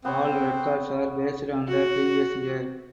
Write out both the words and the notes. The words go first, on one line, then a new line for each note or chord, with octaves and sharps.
All records are based on the previous year.
B3 C4 C#5
F#4